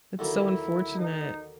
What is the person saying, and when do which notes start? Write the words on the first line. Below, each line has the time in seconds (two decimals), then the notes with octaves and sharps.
It's so unfortunate.
0.19 D#2 D3 F#3 A#3 E4
0.97 D#4